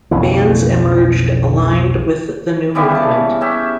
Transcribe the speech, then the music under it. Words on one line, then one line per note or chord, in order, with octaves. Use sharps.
Bands emerged aligned with the new movement.
B1 F2 C#3 E3
C#3 E3 G3 B3
A5
C#4 G4 E5